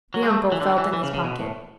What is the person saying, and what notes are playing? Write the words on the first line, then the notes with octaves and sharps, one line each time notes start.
The uncle felt in his pocket.
F#3
G#3
A3
E3
D3
E3
E3
C#3
C#3
B2
A2